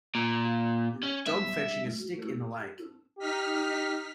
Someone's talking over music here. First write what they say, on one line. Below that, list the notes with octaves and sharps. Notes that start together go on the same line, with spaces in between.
Dog fetching a stick in the lake.
A#2
C#4
E5
D#4 G4 F6 B6